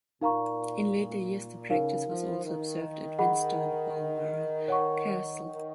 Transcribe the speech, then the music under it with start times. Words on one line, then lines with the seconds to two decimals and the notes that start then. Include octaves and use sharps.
In later years the practice was also observed at Windsor and Balmoral Castle.
0.21 A#2 D#4 A#4 F5 A#5 C#6
0.95 A#2
1.70 C#3 D#4 A#4 F5
2.07 F3
2.44 D#3
3.19 G#4 D#5 F#5 B5
4.68 C#5 F#5 C#6
5.43 D#3